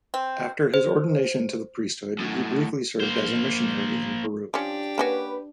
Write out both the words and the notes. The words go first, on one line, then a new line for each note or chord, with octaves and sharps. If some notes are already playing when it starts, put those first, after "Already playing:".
After his ordination to the priesthood, he briefly served as a missionary in Peru.
C4
C5
F#2 A2
A#3 C5
F3 C#4 D4 G4
A#3 C#4 F#4 B4